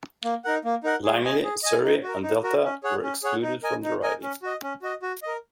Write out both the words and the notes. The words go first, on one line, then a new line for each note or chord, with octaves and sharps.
Langley, Surrey and Delta were excluded from the riding.
A#3
D#4 A#4 F#5
A#3
D#4 A#4 F#5
G#4
D#5 G#5
G#4
D#5 G#5
D#4
F#4 A#4
D#4
F#4 A#4
C#4
G#4 C#5 F#5
C#4
G#4 C#5 F#5
D#4
A#4 D#5 G#5
D#4
A#4 D#5 G#5
C#4
F#4 D#5
C#4
F#4 D#5
F#4
A#4 D#5